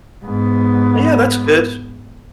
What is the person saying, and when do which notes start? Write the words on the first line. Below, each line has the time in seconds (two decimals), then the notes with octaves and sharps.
Yeah, that's good.
0.24 G#2 B3